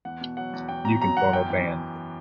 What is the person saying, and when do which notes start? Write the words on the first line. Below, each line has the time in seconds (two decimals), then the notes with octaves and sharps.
You can form a band.
0.05 E2 F#5
0.21 B2
0.37 F#3 F#5
0.53 E2
0.69 E2 G5
0.85 B2 A#5
1.01 F#3 A#5
1.17 E2 F#5
1.33 F#2 G5
1.50 E3